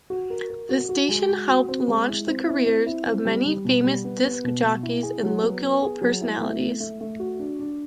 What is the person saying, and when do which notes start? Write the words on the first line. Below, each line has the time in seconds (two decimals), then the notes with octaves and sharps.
The station helped launch the careers of many famous disc jockeys and local personalities.
0.10 F#4
0.30 A#4
0.50 A#4
0.69 F#4
0.89 F#4
1.09 G#3
1.29 F#4
1.48 F#4
1.68 C4
1.88 G#3
2.08 E4
2.27 C4
2.47 E4
2.66 C4
2.86 E4
3.06 C4
3.25 G3
3.45 G3
3.65 B2
3.84 G3
4.04 B3
4.25 B3
4.44 B2
4.63 B2
4.83 E4
5.03 G#4
5.23 F#3
5.42 B3
5.62 B3
5.82 G#4
6.01 F#3
6.21 E4
6.41 A3
6.61 A3
6.80 A3
7.01 A3
7.20 F#4
7.39 D4
7.59 D4